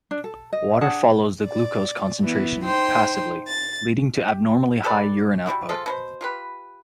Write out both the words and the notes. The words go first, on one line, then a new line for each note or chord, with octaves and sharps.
Water follows the glucose concentration passively, leading to abnormally high urine output.
D4
A4
D#5
D4 G#4 F#5 A5
D5
E3 B3
D#4 C5 G5 C6
A6
G4
G4 A4 B4 D5
G3 G#3 E4 F#4
F3 G#3 F4 A4
B2 C#4 C5
F4 G4 B4